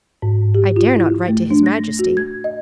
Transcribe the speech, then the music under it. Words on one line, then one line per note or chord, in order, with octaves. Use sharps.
"I dare not write to his majesty."
G#2
G4
F4
E4
A3
D4
A#6
F#4
G#6
D#5